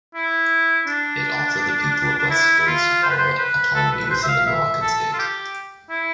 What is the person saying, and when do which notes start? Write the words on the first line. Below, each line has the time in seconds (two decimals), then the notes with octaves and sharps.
It offered the people of Western Sahara autonomy within the Moroccan state.
0.15 E4
0.87 D4
2.18 D4
2.30 E4
2.59 E4
2.67 F4
3.03 C5
3.10 B4
3.18 C5
3.39 B4
3.75 A4
3.92 B4
4.05 B4
4.10 C5
4.23 E5
4.28 F5
4.46 E5
4.82 A4
5.13 F4
5.19 G4
5.90 E4